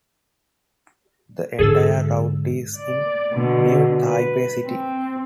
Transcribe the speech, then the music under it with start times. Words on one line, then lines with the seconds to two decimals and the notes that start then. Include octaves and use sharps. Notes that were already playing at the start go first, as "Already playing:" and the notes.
The entire route is in New Taipei City.
1.59 G#2 D3 G#4 A4 E6
2.77 D5
3.33 B2 D3
4.08 B4
4.66 C4